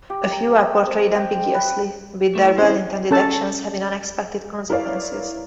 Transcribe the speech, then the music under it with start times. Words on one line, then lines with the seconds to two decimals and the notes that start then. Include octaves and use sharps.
A few are portrayed ambiguously, with their well-intended actions having unexpected consequences.
0.10 G4
0.32 A#5
0.86 C4
1.15 G5
1.54 B4
2.35 E3 A3
2.58 E3 C4 C#4 C5 E5
3.11 C#4 A4 A5
4.69 E4 A#4 B4 C#5 D5 F5